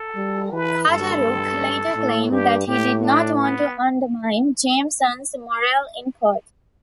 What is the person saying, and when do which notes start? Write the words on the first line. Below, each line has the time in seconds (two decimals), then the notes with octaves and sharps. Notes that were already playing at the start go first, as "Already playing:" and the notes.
Carter-Ruck later claimed that he did not want to undermine Jameson's morale in court.
Already playing: A4
0.16 G3
0.53 E3 B4
0.88 G2 A4
1.96 A2
2.31 G2 G4
2.67 A2 G4
3.03 D4
3.39 B3